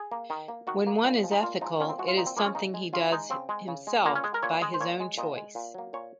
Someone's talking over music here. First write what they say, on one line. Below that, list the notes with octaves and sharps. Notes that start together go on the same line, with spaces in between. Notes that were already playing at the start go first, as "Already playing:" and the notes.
When one is ethical, it is something he does himself by his own choice.
Already playing: G#4
A#3
D#3
A#3
D#3 F#4
A#3
A#2
F3 G#3
D#4
A#2 F4
F3 G#3 D#4
A#2 C#4
C4
F3 G#3 F#4
F4
A#2 D#4
C4
F3 G#3 A#3
C#4
C#3 D#4
G#3
C#3 F4
G#3 D#4
C#3 C4
G#3
C#3
G#3
A#2 A#3
C#4
G#3 G#4
A#4
A#2 C#5
G#3 D#5
C5
A#2 C#5
G#3
A#2 D#5
G#3
A#2
F#3 A#3
A#2 C#5